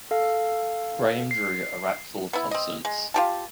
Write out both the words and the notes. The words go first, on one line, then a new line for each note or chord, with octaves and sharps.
Graham drew a rack full of consonants.
A4 F5
C7
B3 E4
C4 D#5
G#3
F4 G4 A5